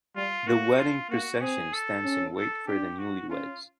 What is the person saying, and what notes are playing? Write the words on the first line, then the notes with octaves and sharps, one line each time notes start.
The wedding procession stands in wait for the newlyweds.
G3 F4
A#3 F#4
F4
A#3 F#4
C4 G#4
A4
C#4
A4
D4 G4
F#4
C#4 F4